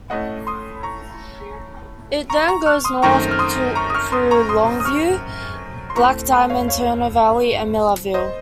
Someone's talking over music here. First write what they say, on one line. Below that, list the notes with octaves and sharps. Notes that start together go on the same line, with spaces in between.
It then goes north through Longview, Black Diamond, Turner Valley, and Millarville.
A2 A3 C#4 D#5 F#5
C6 D#6
A#5 C#6
A#5 C#6
A#5 C#6
C#6 F6
C6 D#6
F#2 D#3 A3 C4 A#5 C#6
F6
C6 D#6
A#5 C#6
D#6
C#6 F6
C6 D#6
A#5 C#6
C6 D#6
D#6
C#6 F6
C6
A2 A3 C4 A#5 C#6
A5 C6
C#5 F5
C#5 F5
C5 D#5